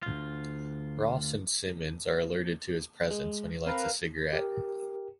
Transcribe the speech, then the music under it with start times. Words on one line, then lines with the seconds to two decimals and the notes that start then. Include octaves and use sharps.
Ross and Simmonds are alerted to his presence when he lights a cigarette.
0.03 D2 F4
3.10 G#3
3.66 C4 A#4 B4 F5
4.33 G4 A#4